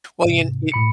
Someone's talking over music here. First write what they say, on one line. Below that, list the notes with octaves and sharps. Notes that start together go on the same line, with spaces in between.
Well, you in i
G#2 C3
A2 B5 C#7